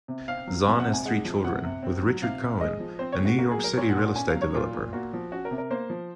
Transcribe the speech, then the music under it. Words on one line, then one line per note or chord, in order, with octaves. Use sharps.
Zahn has three children with Richard Cohen, a New York City real estate developer.
C3
C4 F5
F#3
C3 G#5
F#5
C3
G#5
G#3 F#5
F3
C3 F#5
C3
C4
F#3
C3 F5
C3
G#3 D#5
F3
C4 C5
C#5
C#3
F#4
A#3 F#4
G#4
F#3
A#4
A#2 C#5
F#5
A#2
F#5
C#4 G#5
F5
F#3
C#5
A#2 F4
A#2
A#3 F#4
F3
C#4 F#4
A#4
C3
A#4
A#3 C5
F3